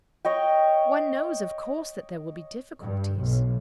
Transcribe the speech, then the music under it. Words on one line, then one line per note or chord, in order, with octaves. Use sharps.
"One knows, of course, that there will be difficulties."
C#5 D#5 G5
G2
B1